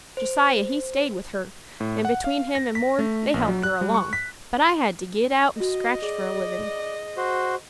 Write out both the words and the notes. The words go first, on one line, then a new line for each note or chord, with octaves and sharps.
Josiah he stayed with her, an' between him an' 'Mord,' they helped her along, but I had to git out and scratch for a livin'.
C5
A2
F#5
F5
A#6
B6
A3
A#1
F#3
F#6
G3
C#6
B6
F#4 D#5
G#4 D5
F#4 C5